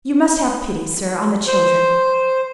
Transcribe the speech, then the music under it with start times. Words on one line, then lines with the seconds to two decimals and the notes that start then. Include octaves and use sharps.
You must have pity, sir, on the children.
1.47 C5